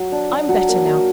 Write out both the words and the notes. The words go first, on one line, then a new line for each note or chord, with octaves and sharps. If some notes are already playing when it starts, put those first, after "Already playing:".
I am better now.
Already playing: F#3
D4
F#3
F#3
A#3
A#4